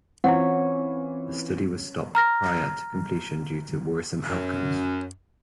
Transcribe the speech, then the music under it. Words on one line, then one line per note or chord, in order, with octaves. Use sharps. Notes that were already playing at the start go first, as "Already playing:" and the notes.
The study was stopped prior to completion due to worrisome outcomes.
E3 C4 C#4 E4 F4 C#5 F#5
A#5 F6 A#6
F#2